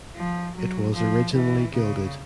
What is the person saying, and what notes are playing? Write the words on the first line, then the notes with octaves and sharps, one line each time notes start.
It was originally gilded.
F3
F#3
F3
E3
C#3